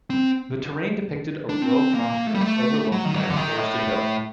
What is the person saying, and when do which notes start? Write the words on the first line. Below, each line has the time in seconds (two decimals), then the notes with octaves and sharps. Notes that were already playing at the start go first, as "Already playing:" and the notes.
The terrain depicted a rural crossroads overlooked by a forested hill.
0.10 C4
1.49 D4
1.62 C4
1.95 A#3
2.27 A3
2.34 G3
2.41 A3
2.92 F#3
3.05 D#3
3.14 F#3
3.30 D3
3.36 D#3
3.57 A2